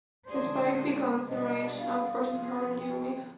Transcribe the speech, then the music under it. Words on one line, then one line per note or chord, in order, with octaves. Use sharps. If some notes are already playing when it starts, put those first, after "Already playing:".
Spike becomes enraged and forces Harmony to leave.
D3 G#3 D4 G#4 C5 D5
B2 G3 B3 D4 G#4 D#5
F5
C3 F3 B3 F4 G#4
G5